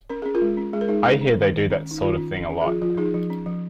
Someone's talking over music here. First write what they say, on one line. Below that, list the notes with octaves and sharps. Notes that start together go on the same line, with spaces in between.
I hear they do that sort of thing a lot.
C#4 A#4
C#4 G#4
F4 A#4
G#3
C#4
G#3 G#4
A#4
G#3 D#4 G#4
C#4
C#4
D#3
D#3
C#4
C#4
D#4
D#3 F4
C#4
C#4
C#4
G#4
F3 F4
F3 F4
F3 D#4 G#4
F3
C#4
F3